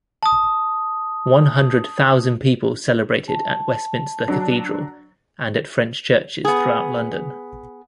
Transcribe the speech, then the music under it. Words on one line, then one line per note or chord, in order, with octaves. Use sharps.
One-hundred thousand people celebrated at Westminster Cathedral, and at French churches throughout London.
A5 D#6
A5
F#3 D4
B3 G#4